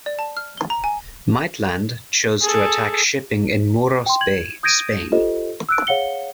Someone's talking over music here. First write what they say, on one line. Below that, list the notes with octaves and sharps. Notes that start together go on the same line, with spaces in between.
Maitland, chose to attack shipping in Muros Bay, Spain.
D5
A5
F6
G7
A#5
G#5
G#4 A4
G5 C6
G#6 F#7
D#6 G6 G#6 A#6 D7 D#7
F4 G4 A4 C5 D#5
E6 F#6 D7
G#4 C#5 F5 F#5 C#7 G7